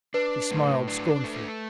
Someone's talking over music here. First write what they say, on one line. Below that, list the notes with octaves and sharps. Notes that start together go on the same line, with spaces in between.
She smiled scornfully.
D4 B4
A2
D4
A3